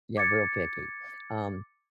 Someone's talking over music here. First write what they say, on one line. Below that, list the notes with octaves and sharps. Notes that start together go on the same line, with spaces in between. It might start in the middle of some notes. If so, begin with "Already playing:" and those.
Yeah, real picky. Um
D6 G#6 A6 C#7